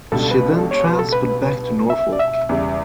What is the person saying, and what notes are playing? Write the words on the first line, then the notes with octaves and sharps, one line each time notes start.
She then transferred back to Norfolk.
C#2 B2 G3 D4 A4
B4
A4
C#5
B4
A4
B4
E5
D5
E5
E2 C#3 G3